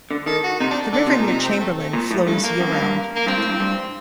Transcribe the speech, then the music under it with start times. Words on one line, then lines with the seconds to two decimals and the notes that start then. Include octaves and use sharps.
The river near Chamberlain flows year-round.
0.11 D3
0.26 D#3 A4
0.44 F#4
0.60 C3 D#4
0.71 D4
0.93 D3 D4
1.06 C3 D#4
1.18 A#2
1.27 C3 D#4
1.44 C4
1.60 A3
1.77 A3
1.93 A#2
2.11 A2
2.27 G2 A3
2.43 A#3
2.60 F#2
2.72 G2
2.82 G2
3.16 A#3
3.27 G2 C4
3.38 A2
3.49 G2
3.60 G2